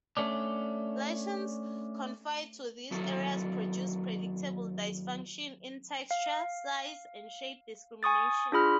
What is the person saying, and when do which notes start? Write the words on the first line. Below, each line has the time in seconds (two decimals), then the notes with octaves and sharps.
Lesions confined to these areas produce predictable dysfunction in texture, size, and shape discrimination.
0.17 A3 C#4 D4
2.91 D#2 F#3 E4 A4
6.11 F5
8.03 G#5 C#6 D#6 A6
8.52 D4 F4 G#4 B5 F6